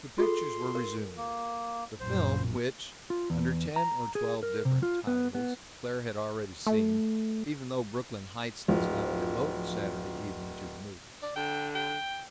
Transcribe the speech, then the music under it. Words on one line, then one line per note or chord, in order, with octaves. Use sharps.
The pictures were resumed; the film which, under ten or twelve different titles, Claire had already seen, even though Brooklyn Heights does not devote Saturday evening to the movies.
F4 G#4 A4 C6
A#4
A#3
A#1 F#2 C5
F4
E2
A#5
G#4
A#4
C3
F4
B3
B3
A3
D1 F3
D5
D3 G5
G5